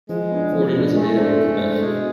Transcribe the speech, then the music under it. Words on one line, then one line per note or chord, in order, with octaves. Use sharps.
Fortin is a native of Quebec.
F3 G#3
B3 D4
F3
B3
D4
G#3 A3
D4 A4 C5
G#3
D4 A4 C5
B2 G#3